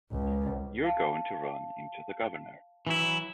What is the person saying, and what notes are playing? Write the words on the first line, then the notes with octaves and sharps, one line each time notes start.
You're going to run into the Governor.
C#2
F5 A5
E3 F#3 E4